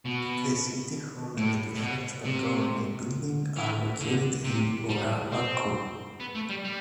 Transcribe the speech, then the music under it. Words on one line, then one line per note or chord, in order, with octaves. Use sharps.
The city hall and the prefectural government building are located in Urawa-ku.
B2
A2
A2
B2
C3
E3
D3
C3
G3
C4
B3
A3
G3
G3